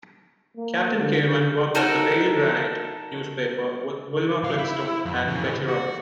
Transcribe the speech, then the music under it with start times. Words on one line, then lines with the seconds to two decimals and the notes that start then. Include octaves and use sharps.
Captain Caveman worked at "The Daily Granite" newspaper with Wilma Flintstone and Betty Rubble.
0.57 A#3
0.99 D3
1.75 D#4 F#4 A4 A#4
4.43 C2 F5
4.58 E4
5.05 F2
5.27 C#3 E3
5.68 F#4